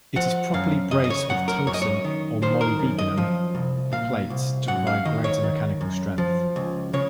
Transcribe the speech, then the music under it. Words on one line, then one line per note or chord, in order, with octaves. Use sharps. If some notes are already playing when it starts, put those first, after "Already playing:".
It is properly braced with tungsten or molybdenum plates to provide greater mechanical strength.
F3 F#5
F#2 F5
C#3 D#5
D#5
C#5
F#2 F#5
A#4
F#2 C#5
D#5
C#5
D#3
D#3 C5
A#4
F#2
D#5
F3
C2
A#2 F5
C2
F#2 F#5
F5
D#3 D#5
C#5
D#3
F#2
F3
C#2
C#3 C#5